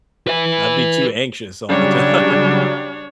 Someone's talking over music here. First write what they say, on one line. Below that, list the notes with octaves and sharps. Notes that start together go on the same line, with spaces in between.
I'd be too anxious all the time.
B4 E5
C#3 F#3 G3 D4 C#5